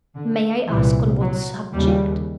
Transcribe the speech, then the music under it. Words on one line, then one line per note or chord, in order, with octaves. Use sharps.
"May I ask on what subject?"
D3
C2 A#2 E3
F#3
D#2 C#3 G3